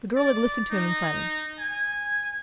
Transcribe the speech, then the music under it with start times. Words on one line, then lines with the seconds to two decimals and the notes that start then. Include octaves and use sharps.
The girl had listened to him in silence.
0.16 D5
0.71 D#4
1.60 G#5